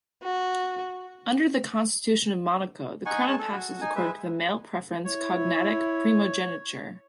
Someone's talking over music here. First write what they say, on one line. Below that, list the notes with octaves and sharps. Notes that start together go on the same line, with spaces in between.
Under the constitution of Monaco, the crown passes according to male-preference cognatic primogeniture.
F#4
D#4 F#5 G#5 C#6
G#3 C#5 A5
A4
F#4
D#4 G#5
G#3 B4 E5
E4 C#5